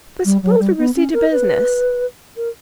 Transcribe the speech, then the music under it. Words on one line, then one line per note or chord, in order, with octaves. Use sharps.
But suppose we proceed to business.
G3
F#3
G3
B3
C#4
A#4
B4
A#4